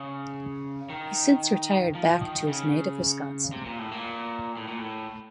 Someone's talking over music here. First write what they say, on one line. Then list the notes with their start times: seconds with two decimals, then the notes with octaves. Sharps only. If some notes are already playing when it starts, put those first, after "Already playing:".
He since retired back to his native Wisconsin.
Already playing: C#3
0.90 D#3
1.95 F3
2.21 D#3
2.48 C#3
3.53 C3
3.66 A#2
3.79 A2
3.91 A#2
4.57 A2
4.68 A#2
4.78 A2